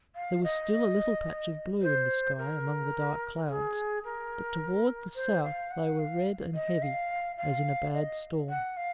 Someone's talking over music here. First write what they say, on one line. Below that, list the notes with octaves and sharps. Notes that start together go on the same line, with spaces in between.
There was still a little patch of blue in the sky among the dark clouds, but toward the south they were red and heavy, as in a bad storm.
F5
D#5
C5
A#4
G#4
A#4
C5
F5
F#5
F5
D#5
F5
F5
D#5
F#5
F5